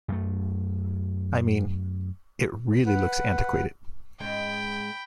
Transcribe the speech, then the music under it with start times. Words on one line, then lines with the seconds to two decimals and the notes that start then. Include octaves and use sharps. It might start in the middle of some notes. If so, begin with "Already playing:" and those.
I mean, it really looks antiquated.
0.08 F#2 A3
2.86 B4 F#5
4.20 G#2 G#3 C#4 G5 B5